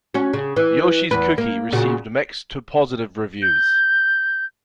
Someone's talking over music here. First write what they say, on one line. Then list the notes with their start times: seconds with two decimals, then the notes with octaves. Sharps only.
"Yoshi's Cookie" received mixed to positive reviews.
0.14 C#4 F#4
0.33 C#3
0.56 E3
1.11 E2 B4
1.38 A#3
1.72 A#2 C#3 F#4
3.42 G6